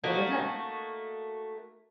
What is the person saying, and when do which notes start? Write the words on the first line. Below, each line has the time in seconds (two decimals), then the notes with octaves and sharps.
What is it?
0.04 A3 A#3 D#4 F#4